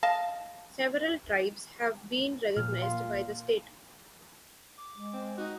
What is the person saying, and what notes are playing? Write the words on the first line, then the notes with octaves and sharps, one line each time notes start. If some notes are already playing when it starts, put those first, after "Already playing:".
Several tribes have been recognized by the state.
D#5 F5 A5
A#2 F3 F6
F5 C6
D6
G#3
C4
D#4 F#4